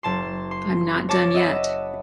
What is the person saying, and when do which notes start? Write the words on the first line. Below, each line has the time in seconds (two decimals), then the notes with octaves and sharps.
I'm not done yet.
0.03 F#1 A5 C6
0.51 C6
1.09 C#5 A5 D6 A#6 C#7
1.34 D#5 E5 F#5 B5